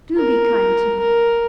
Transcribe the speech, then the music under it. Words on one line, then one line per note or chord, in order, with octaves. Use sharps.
Do be kind to me.
A#4
A#4